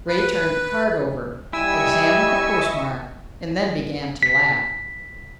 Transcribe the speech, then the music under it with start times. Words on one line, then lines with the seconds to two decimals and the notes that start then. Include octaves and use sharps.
Ray turned the card over, examined the postmark, and then began to laugh.
0.08 B4
1.53 G3 E4 D#5 E5 G#5 C#6 E6
4.23 B6